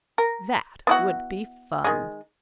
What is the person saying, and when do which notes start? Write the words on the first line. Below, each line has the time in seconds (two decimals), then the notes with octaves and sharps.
That would be fun!
0.18 A#4
0.87 B3 E4 F#4
1.84 D#3 G#3